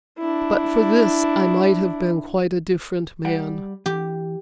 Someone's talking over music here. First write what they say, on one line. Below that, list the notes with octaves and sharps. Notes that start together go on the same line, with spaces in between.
But for this I might have been quite a different man.
D4 E4
G3 F#5 G5
E3 G4